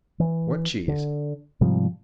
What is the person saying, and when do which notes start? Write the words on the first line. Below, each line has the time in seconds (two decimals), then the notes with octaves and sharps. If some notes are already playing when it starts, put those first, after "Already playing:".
"What cheese?"
0.20 E3
0.88 D3
1.61 G#2 C3 F3 G3